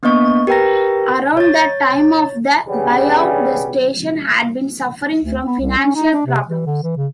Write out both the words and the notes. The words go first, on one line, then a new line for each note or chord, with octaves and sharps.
Around the time of the buyout, the station had been suffering from financial problems.
A#3 B3 D4 D#5 C#6
G4 A#4 B4 G5 A#5 A#6
C#5 A6
G2 C#3 G3 B3 C#4
D2
B3
C2
C#4
D#4
D4
C3
E3
D3
E3
C#3